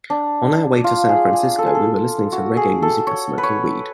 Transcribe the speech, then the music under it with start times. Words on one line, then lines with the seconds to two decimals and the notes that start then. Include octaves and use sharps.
On our way to San Francisco, we were listening to reggae music and smoking weed.
0.10 D4
0.84 F4
1.09 G#4
1.33 G#4
1.58 A4
1.67 G#4
1.75 A4
2.32 F#4
2.57 G#4
2.82 A4
3.07 C#5
3.38 B4
3.43 C#5